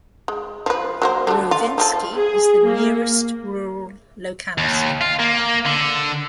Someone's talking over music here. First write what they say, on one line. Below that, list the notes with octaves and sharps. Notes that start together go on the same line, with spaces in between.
Rovinsky is the nearest rural locality.
G#3
F3 B4
F#3 A#3 C5
D3 A3
F4
F3 G4 A4
G#4
A#3
D#2
F4
A#3
D3